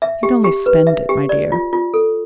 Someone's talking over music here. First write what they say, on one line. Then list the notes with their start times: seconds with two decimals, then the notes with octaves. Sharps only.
"He'd only spend it, my dear."
0.02 E5
0.23 G4
0.44 G4
0.66 B4
0.87 E5
1.09 G4
1.29 D5
1.52 F4
1.73 F4
1.94 A4